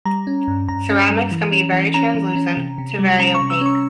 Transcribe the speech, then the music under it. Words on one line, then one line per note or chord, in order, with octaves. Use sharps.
Ceramics can be very translucent to very opaque.
G3 A#5
C#4
G2
G2 A#5
C#4
G3
E3
C#4
E3
C#4 A#5
E3
C#4
C3
C3
G3
C#4 A#5
C#6
C3
E6
C#4 C#6